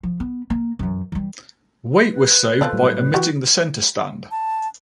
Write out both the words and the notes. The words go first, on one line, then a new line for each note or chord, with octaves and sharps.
Weight was saved by omitting the centerstand.
F3
B3
A#3
F#2 E3
E3 G3
B4
B2 F3 A4 D5
A2 F#3 G3
E3 F#4 G4
A5